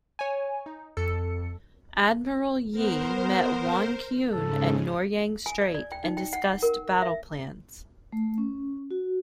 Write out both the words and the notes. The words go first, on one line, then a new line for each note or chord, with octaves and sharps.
Admiral Yi met Won Kyun at Noryang Strait and discussed battle plans.
C#5 G#5
D#4
F2 A4 C#7
B3 A#4 C5
G#2 C#3 A4
G#5
D5
D5
G5
D#4
G5
F#5
A#4
E5
A3
C#4
F#4